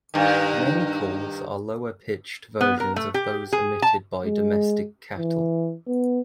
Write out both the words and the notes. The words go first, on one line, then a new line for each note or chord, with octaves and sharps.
Many calls are lower-pitched versions of those emitted by domestic cattle.
G2 D#3
B3
A#4
A3
G4
G#4
A5
G#3
E3
B3